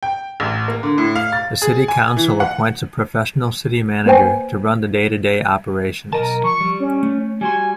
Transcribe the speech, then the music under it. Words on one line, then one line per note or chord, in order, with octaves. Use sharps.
The city council appoints a professional city manager to run the day-to-day operations.
G5
A1
A#3
D3
A2
F5
A6
G#4
G#5
E3
F#5
A#3 B4 C5 G5 G#5
B1 A#4 D#5 A5
F3 C#6
G3
C#4
A3
G3 F#4 G#5 C6